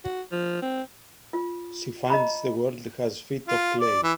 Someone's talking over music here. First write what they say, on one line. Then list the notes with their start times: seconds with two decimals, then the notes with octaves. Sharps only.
She finds the world has feet of clay.
0.04 F#4
0.32 F3
0.62 C4
1.33 F4
2.10 D#5 A#5 B5
3.48 F4
3.80 D5
4.03 E3